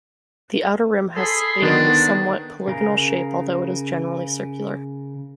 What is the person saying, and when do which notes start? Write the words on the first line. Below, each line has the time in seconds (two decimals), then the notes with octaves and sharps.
The outer rim has a somewhat polygonal shape, although it is generally circular.
1.17 G#4 A4 B5 C6
1.62 D3 D#3 B3 D4
2.67 C#3 A#4